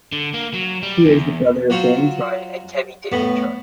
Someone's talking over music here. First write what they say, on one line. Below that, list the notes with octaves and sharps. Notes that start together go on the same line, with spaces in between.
He is the brother of Dan Troy and Tevi David Troy.
D3
A#3
F#3
G3
E2
F#3 F4 F#4 C5
A2 B3